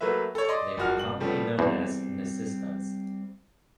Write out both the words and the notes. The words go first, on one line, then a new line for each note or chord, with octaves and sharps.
They were commonly known as "Nacistas".
F#3 A3 A#3 B4 E5
A4 C#5
D5 D#5 C6
F#1 F3 F#4 F6
G2 F#7
F3 G3 A3 B3
E2 G3 C4